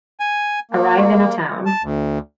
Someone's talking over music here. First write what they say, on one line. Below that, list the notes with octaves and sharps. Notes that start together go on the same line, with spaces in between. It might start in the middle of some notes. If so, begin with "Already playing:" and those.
Arrive in a town.
G#5
A#3
A5
D2